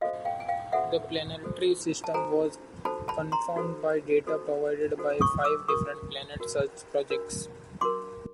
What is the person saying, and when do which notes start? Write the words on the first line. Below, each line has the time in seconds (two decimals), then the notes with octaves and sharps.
The planetary system was confirmed by data provided by five different planet search projects.
0.01 F#4 A4 C5 D#5 F5
0.25 F5 G5
0.40 G#5
0.48 F5 G5
0.72 F#4 A4 C5 E5 F#5
1.43 F#4 A4 C5
2.04 A5
2.14 F#4 A4 C5 G#5 A#5
2.85 D#4 F#4 A4 C5 A5 B5
3.08 A5 B5
3.32 A#5 C6
3.56 D#4 F#4 A4 C5
4.27 D#4 F#4 A4 C5
4.98 D#4 F#4 A4 C5
5.21 C#6 D#6
5.44 D6 E6
5.68 D4 F#4 A#4 C#6 D#6
6.39 D4 F#4 A#4
7.10 D4 F#4 A#4
7.81 D4 F#4 A#4 C6 D6